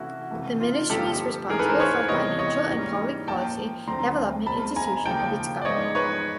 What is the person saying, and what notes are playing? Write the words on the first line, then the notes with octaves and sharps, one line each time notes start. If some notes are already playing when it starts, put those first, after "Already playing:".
The ministry is responsible for financial and public policy development institution of its Government.
Already playing: C3 E3 A3 C#4 E4 F#4
C#2 C3 E3 A3
F4
G2 D3 F3 A#3 C#4 G4 A4
G#2 E3 A3 C#4 G#4 A#4
A4 B4
A#4 C5
B4 C#5
E2 C3 E3 G3 B3 C#5 D#5
C#5 D#5
G#2 E3 G3 A#3 C#4
A#2 F3 A#3 G5 A5
D2 D3 F#3 A3 C4 A#5 C6
B2 G#3 C4 A5 B5
G#5 A#5
D#2 C#3 F3 A#3 G5 A5
D5
G#2 F3 G#3 B3 C#5 D#5
B4 C#5